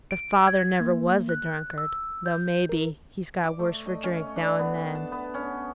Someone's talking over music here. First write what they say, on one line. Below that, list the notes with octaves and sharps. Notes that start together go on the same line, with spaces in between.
But father never was a drunkard, though maybe, he's got worse for drink, now and then.
D7
G#6
A#3
F#6
E6
G6
A#4
D6
A3
D#5
C#4
D4
B3
A5
B3
C#4